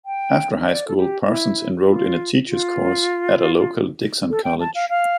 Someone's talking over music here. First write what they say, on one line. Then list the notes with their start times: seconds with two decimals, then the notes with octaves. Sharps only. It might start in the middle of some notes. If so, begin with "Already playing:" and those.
After high school, Parsons enrolled in a teacher's course at a local Dixon college.
0.06 G5
0.67 D5
0.88 A4
0.97 G4
1.27 E4
1.88 F4
2.48 F4
4.30 A4
4.44 G5
4.60 A5
4.75 F5
4.90 F5